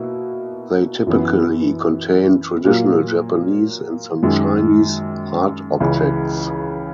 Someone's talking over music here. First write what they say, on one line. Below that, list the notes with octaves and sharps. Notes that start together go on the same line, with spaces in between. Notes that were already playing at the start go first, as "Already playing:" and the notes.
They typically contain traditional Japanese, and some Chinese, art objects.
Already playing: B2 A#3 E4
F#2 E3 B3
A#2 F#3 A#3
F#2 D#3 G#3
C#2 C#3 E3